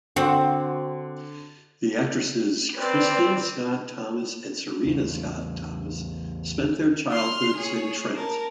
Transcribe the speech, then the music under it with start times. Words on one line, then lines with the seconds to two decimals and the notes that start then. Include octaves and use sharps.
The actresses Kristin Scott Thomas and Serena Scott Thomas spent their childhoods in Trent.
0.16 D3 C4 F#4
2.77 C4 B4 D5
4.86 E2 C#3
7.10 C6 F6
7.57 G#4 C#5
8.15 A#4 A5